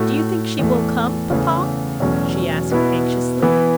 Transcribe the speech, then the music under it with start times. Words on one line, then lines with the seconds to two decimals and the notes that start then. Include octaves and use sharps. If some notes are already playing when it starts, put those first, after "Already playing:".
"Do you think she will come, papa?" she asked anxiously.
Already playing: A2 A3 F#4
0.59 E2 E3 A3
1.30 E2 C#3 E3 A3
2.00 E2 B2 F#3 A3 C#4
2.71 B2 B3 E4
3.42 E3 B3 E4